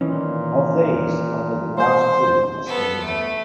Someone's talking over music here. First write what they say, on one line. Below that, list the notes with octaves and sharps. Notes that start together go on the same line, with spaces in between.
Of these, only the last two are still living.
A#2 D#3 E3 C#4
C5
B3 A4
A3